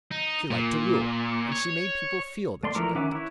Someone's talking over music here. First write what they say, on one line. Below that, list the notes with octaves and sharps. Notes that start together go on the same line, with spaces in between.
She liked to rule, and she made people feel that she liked it.
D#4
A#2
C#5
A3 D5 C6
E3 F3 A3 A#4 D6
D#3 C#4 E5 F#5 D6
E4 B4 C#5